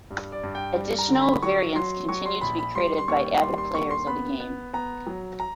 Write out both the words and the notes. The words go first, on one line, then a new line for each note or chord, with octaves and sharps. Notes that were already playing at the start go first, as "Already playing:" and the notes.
Additional variants continue to be created by avid players of the game.
G2
D5
G2
G5
G3
A#5
D3
B5
F#3 C#6
F#3 C6
F#3 C#6
C6
A#1 B5
B5
G3 C6
C6
D#2 C#6
G3 C6
C6
D#2 C#6
C6
B3 B5
B3
B3 A#5
F#3
A#5